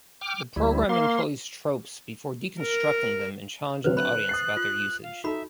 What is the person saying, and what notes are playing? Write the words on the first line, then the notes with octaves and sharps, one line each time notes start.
The programme employs tropes before deconstructing them and challenging the audience about their usage.
G5 D6 F6
D2 G3 E4
A#3 F5 C6
A#4
D3 F#3 C4 B4 C5
B5 F#6
D#6 A6 C7
F4
F5
D#4 F#4 A4 E5 B5